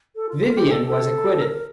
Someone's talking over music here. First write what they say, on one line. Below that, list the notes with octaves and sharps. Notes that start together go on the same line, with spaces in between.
Vivian was acquitted.
A4
F4
F4
G4
A4
A4
A#4